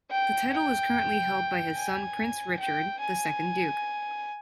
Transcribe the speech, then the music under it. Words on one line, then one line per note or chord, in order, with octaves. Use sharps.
The title is currently held by his son Prince Richard, the second Duke.
G5
G5
G#5
G5
G#5